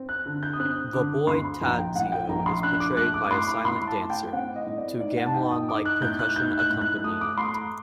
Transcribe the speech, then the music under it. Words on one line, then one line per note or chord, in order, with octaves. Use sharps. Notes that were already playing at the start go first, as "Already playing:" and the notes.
The boy Tadzio is portrayed by a silent dancer, to gamelan-like percussion accompaniment.
Already playing: C4
F#6
D3
G6
D#6
C4 F#6
D3 D6
D2 C6
A#1 A#5
G5
A2 F#5
G5
A#1 A#5
C6
D4 F#6
D6
A3 F#6
D6
D6
A2 C6
D6
A2 C6
A5
A2
G5
C4 F#5
D#5
A2
D5
D#4 D5
F#5
A5
D#4 G5
D#6
D#4 D6
F#6
A2 G6
F#6
D#4 G6
F#6
A2
F#6
A3 D#6
D6
A3 C6
A#5